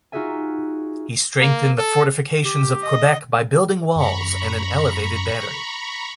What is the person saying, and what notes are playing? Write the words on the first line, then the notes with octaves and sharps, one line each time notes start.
He strengthened the fortifications of Quebec by building walls and an elevated battery.
D#4 F4 F#4 G#4 E5 G#5
A#3
A4
G4
D#5
F#2 A#5 B5 C#6